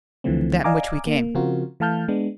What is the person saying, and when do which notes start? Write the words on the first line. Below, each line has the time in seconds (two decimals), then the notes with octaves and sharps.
"That in which we came."
0.24 C#2 D3 E3 F3 A3 C4
0.64 D5 D#5 F5 G#5 A#5 D6
1.07 A#3
1.35 C#3 F3 C4 F4 F#4 A#4
1.80 E3 A3 F5 A5 F6 G6
2.08 G#3 B3 D4